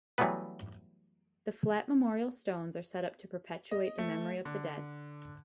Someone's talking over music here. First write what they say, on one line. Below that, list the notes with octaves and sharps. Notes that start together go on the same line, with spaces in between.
The flat memorial stones are set up to perpetuate the memory of the dead.
E3 F#3 G3 A3 B3 B4
D#5
A3
D3